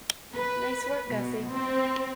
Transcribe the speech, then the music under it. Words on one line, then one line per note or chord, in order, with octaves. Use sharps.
Nice work, Gussie.
B4
B2
C4